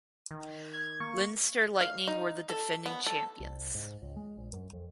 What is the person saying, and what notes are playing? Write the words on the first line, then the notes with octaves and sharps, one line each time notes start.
Leinster Lightning were the defending champions.
D#3
G#6
A#3 C#6
F5
D#4
A4
B3
A4
C2
G#2
C#2
G#3
A#1
F#2
F2